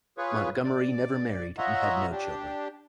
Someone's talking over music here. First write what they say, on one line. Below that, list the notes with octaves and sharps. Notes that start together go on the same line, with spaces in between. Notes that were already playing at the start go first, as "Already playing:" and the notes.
Montgomery never married, and had no children.
F4 G#4 B4 C#5
D5
F4 C#5 D#5 E5 F#5 A#5
D4 G4